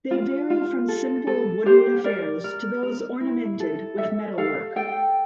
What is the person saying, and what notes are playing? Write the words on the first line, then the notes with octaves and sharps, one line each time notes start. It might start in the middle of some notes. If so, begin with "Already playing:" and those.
They vary from simple, wooden affairs, to those ornamented with metalwork.
F4
F4
A4
A4
G4 C5
A#4 D5
A#4
A#4
E4
A4
A4 E5
A4 F5
A4 G5